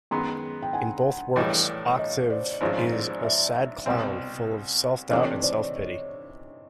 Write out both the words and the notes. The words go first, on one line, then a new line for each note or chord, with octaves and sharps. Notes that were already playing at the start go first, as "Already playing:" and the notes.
In both works Octave is a "sad clown" full of self-doubt and self-pity.
F#2 D#3 G#3 B3 A#5 C6
G5
F#5 G#5
A#1 A2 E3 G3 C#5 D#5
C#5 D#5
C5 D5
G#1 G#2 F3 G#3 C#4 C5 D5
C5 D5
D5 E5
C2 B2 G3 C4
C3 E3 A3 D4 G4 C#5 D#5
C5 D5